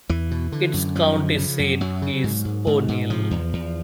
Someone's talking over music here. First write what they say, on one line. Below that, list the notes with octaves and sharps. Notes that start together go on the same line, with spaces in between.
Its county seat is O'Neill.
E2 E3
B2
D3
F#2
F#2 F3
D3
C#3
F#2
F#2 F#3
C#3
G#2
G#2
G#2
G#2
C3 F3
E2
E2